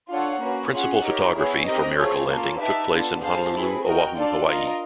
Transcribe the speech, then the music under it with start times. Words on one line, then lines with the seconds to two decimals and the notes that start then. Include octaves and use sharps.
Principal photography for "Miracle Landing" took place in Honolulu, Oahu, Hawaii.
0.10 D4 F4 A4 C#5 F#5
0.41 A#3 C#4 F#4 B4
0.73 C#4 F4 G#4 C#5 F#5
1.03 D#4 G4 A#4 C#5
1.34 B3 E4 G#4 C#5
1.66 C4 D#4 G4 A#4 D#5
1.97 A3 C4 F4 G#4 C#5
2.29 A#3 C#4 F4 A4
2.60 D#4 G4 B4 E5 A5
2.91 B3 D4 F4 A4
3.22 G#4 C5 F5 A5
3.54 C4 E4 G#4 B4
3.85 F#4 A#4 D#5 G5
4.16 D4 F4 A4 D5
4.47 F4 A#4 D#5